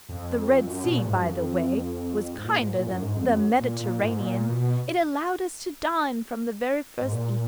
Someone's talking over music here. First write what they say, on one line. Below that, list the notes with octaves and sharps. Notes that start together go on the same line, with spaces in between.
The Red Sea, by the way, was kinder than the Mediterranean: it allowed us to dine from the very first evening.
F2
F#2
B2
A#2
G#2
F#2
F2
G#2
A#2
G#2
A#2
F#2
G#2
F2
F#2
A#2
A#2
G#2
A#2
B2
G#2
A#2